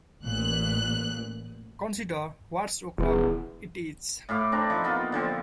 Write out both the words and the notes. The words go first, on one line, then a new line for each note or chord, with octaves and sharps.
Consider what o’clock it is.
A1 A#2 F#6
D#1 E2
A2 E4 F5 D6
C4 D4 A#5
F3 D#4
A#3 B3 F4
D3 F3 C4